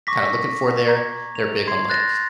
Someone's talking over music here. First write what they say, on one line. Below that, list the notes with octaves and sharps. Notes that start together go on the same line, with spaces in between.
kinda looking for there. They're big on, like,
C#6 D6 A#6 B6
A#5 G#6
F7
C6 G#6 C7
F#6 A6 A#6